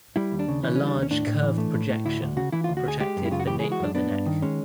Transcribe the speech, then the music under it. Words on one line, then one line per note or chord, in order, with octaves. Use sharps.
A large curved projection protected the nape of the neck.
G3 E4
D#2
D4
C#3
E3 C#4
G3 C#4
D4
D#2
C#4
A2 D4
A2
E3
A3
A2
A2
D2 E4
D2
C#3 F#4
E3 E4
D2 F4
F#4
D2 G#4
G#3 G4
F#2
E4
C#3 F4
F#4
E3 G4
G#3 G#4
F#4
F#2 D4
B3 D4
G2
D#3
G#3 C#4